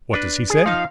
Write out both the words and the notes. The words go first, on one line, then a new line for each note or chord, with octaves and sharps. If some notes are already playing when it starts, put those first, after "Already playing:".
"What does he say?"
D4 B4
G#4
F3 D#4 F5